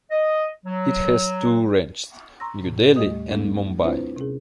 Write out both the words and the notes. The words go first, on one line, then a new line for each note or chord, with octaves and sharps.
It has two ranges: New Delhi and Mumbai.
D#5
F#3
A#5 C6 C#6 E6 A#6
A2 C3
D#2 G3 A3 G4 D#5 D#6
G3 A3 B3 C#4 D#4 A4
C4 D4 E4 F4 B4 C5
C3 C#4 G#4